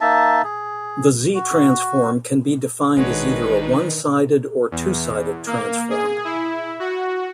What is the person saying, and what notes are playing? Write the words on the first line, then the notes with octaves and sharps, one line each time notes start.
The Z-transform can be defined as either a "one-sided" or "two-sided" transform.
A#3 D#4 E5 A5
G#4
F#4
A1 D#3 G#3 D4 D#4 F#4 B4 C#5
E2
A#3
G#4
E4
F#4